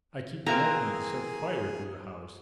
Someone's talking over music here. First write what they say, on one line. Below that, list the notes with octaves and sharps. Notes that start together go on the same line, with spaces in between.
I keep wanting to set fire to the house.
E3 A#3 C4 G#4 A#5